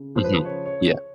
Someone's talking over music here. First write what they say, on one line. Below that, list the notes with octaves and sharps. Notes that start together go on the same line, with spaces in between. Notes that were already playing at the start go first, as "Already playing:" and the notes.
Mhm. Yeah.
Already playing: C#3
F3 C5
B4
C5
C#3 C#5
C#5